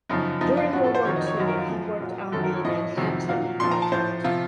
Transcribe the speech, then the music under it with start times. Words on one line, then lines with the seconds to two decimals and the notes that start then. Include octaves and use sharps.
During World War II, he worked on the Manhattan Project.
0.10 F#2 C#3 F3 D#4
0.41 F#2 F3 D#4
0.57 F4
0.73 A2 F3 F#4
0.84 A4
0.95 C5
1.05 F2 D#3 F#3 C#5
1.16 D#5
1.27 C#5
1.36 F#2 D#3 F#3 D#5
1.48 A#4
1.58 F4
1.69 F#2 F3
2.00 A#2 F#3
2.32 F#2 D#3 F#3 A4
2.43 A#4
2.54 C#5
2.64 A2 F3 D#5
2.96 F2 C3 D#3 F#3
3.28 A#2 F#3 F5
3.60 A#2 F3 C6
3.71 A#5
3.82 A5
3.92 A2 F3 C5
4.24 C3 F3 F4